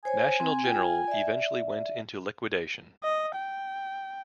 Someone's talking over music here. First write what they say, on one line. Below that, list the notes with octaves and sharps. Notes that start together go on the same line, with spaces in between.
National General eventually went into liquidation.
C5 C#5 G#5
C4
F4 G5
D5 E5
D#5
G5